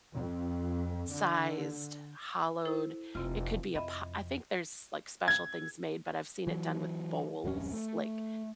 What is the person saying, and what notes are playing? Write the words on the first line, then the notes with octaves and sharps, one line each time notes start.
sized, hollowed It could be a po I think there's, like, special things made, but I've seen it done with bowls, like,
F2
D3
E4 A4 C5
F1 C3 C4 F4
F2 D#5 E5 B5
G#6
E3 F#3
D1 F2 F#3 C#4
A3